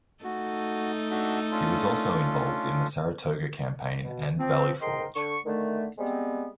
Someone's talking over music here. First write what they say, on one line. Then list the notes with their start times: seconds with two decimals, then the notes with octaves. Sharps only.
He was also involved in the Saratoga campaign and Valley Forge.
0.24 A3 D#4 F#4 A4
1.11 D4 F#4 E5
1.52 C#4 D4 F4
4.03 B2
4.39 F3 C4
4.81 G#2 A#4 D#5 G5 C6
5.16 D3 C#6
5.46 D3 D#3 A3
5.98 G3 G#3 B3 C4